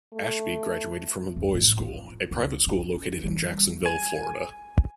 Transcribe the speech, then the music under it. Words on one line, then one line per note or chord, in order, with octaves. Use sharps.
Ashby graduated from The Bolles School, a private school located in Jacksonville, Florida.
A3
F2
A2
F4
C#2
C#4
E3 G3
G#5